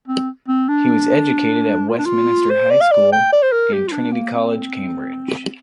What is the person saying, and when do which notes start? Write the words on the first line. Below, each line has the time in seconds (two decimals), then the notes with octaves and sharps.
He was educated at Westminster School and Trinity College, Cambridge.
0.08 C4
0.48 C4
0.68 D4
1.89 F4
1.98 D4
2.06 F4
2.50 C5
2.70 D5
2.81 F5
2.91 D5
3.12 G5
3.32 D5
3.42 C5
3.52 A#4
3.73 G4
3.88 F4
3.92 D4
4.12 A#3
4.34 C4